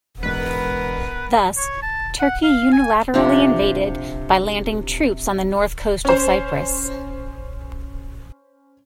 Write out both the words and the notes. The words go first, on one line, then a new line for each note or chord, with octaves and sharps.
Thus Turkey unilaterally invaded by landing troops on the north coast of Cyprus.
E1 G#2 B3 A#4 B4
C#5
A5
F#5
F5
G#5
C3 F3 D4
C#4 C5